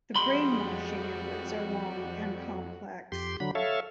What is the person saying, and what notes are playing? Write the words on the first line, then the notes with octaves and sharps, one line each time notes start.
The brainwashing efforts are long and complex.
F2 G3 G#3 F#4 B5 C6
F2 G4 C6
D3 F#3 B5
A4 C#5 E5 F5